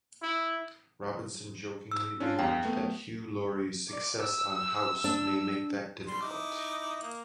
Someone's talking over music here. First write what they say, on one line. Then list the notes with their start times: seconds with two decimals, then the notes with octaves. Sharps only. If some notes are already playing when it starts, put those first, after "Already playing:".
Robinson jokingly remarked that Hugh Laurie's success on "House" may make that difficult.
0.22 E4
1.91 E6
2.20 C#4 D4 F4
2.39 E2 F5 G5
2.65 A3 B3
3.90 D5
4.24 E6
5.04 D4
6.07 G3 C6
6.21 D#4 E4 D6
7.03 A#3